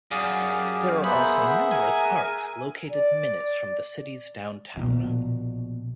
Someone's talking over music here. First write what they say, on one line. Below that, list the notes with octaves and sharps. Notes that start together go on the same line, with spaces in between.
There are also numerous parks located minutes from the city's downtown.
F#2 G#4 D5 F5
G4
A#3 B3 G#4 C5 E5 F#5 B5
A#4 G#5
D5
A#1 B2